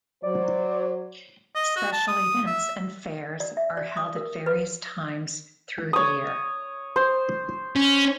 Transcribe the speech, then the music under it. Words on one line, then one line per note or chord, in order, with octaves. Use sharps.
Special events and fairs are held at various times through the year.
F#3 C5 D5
D#5
F#4
A5
D#6
E5
D5
E5
D5
D#6
A#4
B4
C#5 D#6
C5
C#4